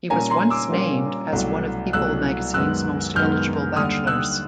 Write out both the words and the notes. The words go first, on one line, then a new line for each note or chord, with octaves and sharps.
He was once named as one of People magazine's most eligible bachelors.
A#2 G3 A#3 C#4 G#5 A#5
A#5 C6
D6 E6
A#2 G3 A#3 C#4
C2 B2 F#3 A3
C2 B2 F#3 A3 E6 F#6
F#2 D#3 G#3 B3 E6 F#6
F#2 D#3 G#3 B3 F6 G6
D#2 D3 G3 D#6 F6
E6 F#6